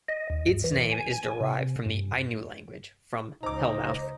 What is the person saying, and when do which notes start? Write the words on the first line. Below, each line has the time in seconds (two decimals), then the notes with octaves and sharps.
Its name is derived from the Ainu language, from "hellmouth".
0.08 D#5
0.30 D#2
0.48 G2
0.64 E3
0.90 G#5
1.41 C3
1.86 G2
3.43 C#2 D#4 C5 A#5 D6